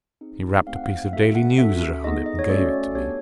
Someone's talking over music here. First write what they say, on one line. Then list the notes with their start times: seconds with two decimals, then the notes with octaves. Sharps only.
He wrapped a piece of "Daily News" round it and gave it to me.
0.21 C4 D#4 G#4
0.67 A3 C4 D#4 G4 F5
0.75 F#5
0.84 F5
1.12 A3 D4 F#4 A4 E5
1.35 F#5
1.58 C#4 F#4 A4 E5
2.04 B3 D#4 G#4 D#5
2.26 D#5
2.39 C#5
2.49 A3 C#4 F#4 A4 D5
2.95 B3 D4 G4 C#5